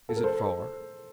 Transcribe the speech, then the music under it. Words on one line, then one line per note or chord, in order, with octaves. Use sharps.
"Is it far?"
A4
A#4
A4 C5